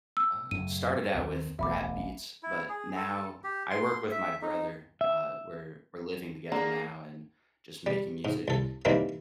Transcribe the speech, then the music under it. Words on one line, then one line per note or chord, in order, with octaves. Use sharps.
Uh, started out with rap beats, but now I work with my brother. Uh, we're we're living together now and just making music.
E6
F#2 A2 C#3 D#7
D#2 D#3 C4
E1 A1 D2 E5 B5 D6
E4
G#4
A4
G4
C6
E5
D#4
E5
D3 A#3 G#4 A#5
G3
G#2
C2 A4
D#3 E3 G3 A#3 C4